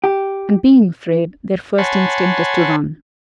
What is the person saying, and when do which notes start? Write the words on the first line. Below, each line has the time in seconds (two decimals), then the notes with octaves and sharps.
And being afraid, their first instinct is to--run.
0.04 G4
1.78 C#5 F#5 G#5 A5 B5 C6